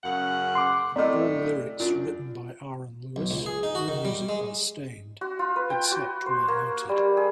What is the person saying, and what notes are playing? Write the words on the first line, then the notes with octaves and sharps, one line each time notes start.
All lyrics written by Aaron Lewis, all music by Staind, except where noted.
F#2 C#3 F#5
C6 D6
F#2 A2 A3 C4 D5 D#5
F#2 D4 F4
B1
C#2
G#4
D#4
F#4
D#3
G3
G#3
F#4
F4
B4
G5
F#4
C5
A#3
G3
G#4